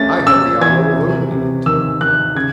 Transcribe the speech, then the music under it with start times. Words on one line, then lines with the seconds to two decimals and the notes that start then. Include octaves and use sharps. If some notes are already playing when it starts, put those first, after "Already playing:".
I had the honour of opening it.
Already playing: A3 C#4 A6
0.26 C#4 E6
0.61 E3 G#6
0.97 C3
1.31 C3
1.66 D#3 E6
2.01 D#3 F#6
2.35 C#3 G#6